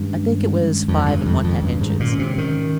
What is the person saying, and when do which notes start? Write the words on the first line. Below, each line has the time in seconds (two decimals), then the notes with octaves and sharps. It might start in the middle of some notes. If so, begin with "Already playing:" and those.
I think it was five and one-half inches.
Already playing: G2 D#3 G#3 C#4
0.13 C#4
0.38 G#3
0.63 D#3
0.88 F2 D#3
1.06 G2
1.13 D#3
1.26 F2
1.38 D#3
1.44 F2
1.63 G2 C#4
1.81 G#2
1.88 D#3
2.00 A#2
2.13 C#4
2.19 C3
2.38 G#2 D#3